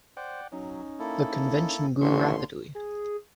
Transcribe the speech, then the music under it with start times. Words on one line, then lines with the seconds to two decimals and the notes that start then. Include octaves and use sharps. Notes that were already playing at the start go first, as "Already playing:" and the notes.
The convention grew rapidly.
0.17 C5 D5 F#5 G5
0.52 F#3 C#4 D#4
0.99 A#3 E4 A4
2.01 A1 D#2 D3 E5 C6 C#6
2.75 G#4